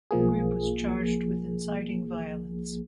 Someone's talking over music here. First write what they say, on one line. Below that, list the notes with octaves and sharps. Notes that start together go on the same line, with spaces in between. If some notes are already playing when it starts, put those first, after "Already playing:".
The group was charged with inciting violence.
B1 F3 A#3 G#4